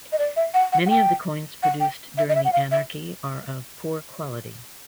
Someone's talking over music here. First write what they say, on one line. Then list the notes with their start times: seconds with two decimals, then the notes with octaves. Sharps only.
Many of the coins produced during the Anarchy are of poor quality.
0.12 D#5
0.18 D5
0.36 E5
0.54 F#5
0.73 F#5
0.86 F#5
0.90 G5
1.63 F#5
1.80 G5
2.18 E5
2.29 D#5
2.35 E5
2.45 F#5
2.53 F5
2.71 E5